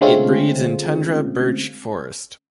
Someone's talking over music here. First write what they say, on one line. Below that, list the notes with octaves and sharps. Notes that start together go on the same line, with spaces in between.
It breeds in tundra birch forest.
D3 G#3 A3 C4 C#4 F4